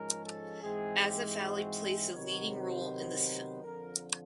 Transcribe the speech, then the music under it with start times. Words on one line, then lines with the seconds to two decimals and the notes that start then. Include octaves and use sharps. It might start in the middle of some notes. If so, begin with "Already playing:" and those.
Asif Ali plays the leading role in this film.
Already playing: G#2 F3 G#3 C#4 A#4
0.25 A4
0.62 G#2 E3 G#3 C4 G#4
1.00 G4
1.37 F#4
2.12 C3 D#3 F#3 B3 C#5
2.50 C5
3.62 F2 D3 F3 A#4